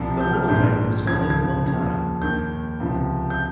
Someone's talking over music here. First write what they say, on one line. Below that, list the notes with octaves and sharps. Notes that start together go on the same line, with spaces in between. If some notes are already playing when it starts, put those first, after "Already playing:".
The holotype was found in Montana.
Already playing: C2 C3 F3
G6
F6
A#1 G#2 D#3 G6
C#2 C#3 F3 G#6
G#6
D#2 C#3 F3
D#2 D#3 G6
C#2 C3 F3
G6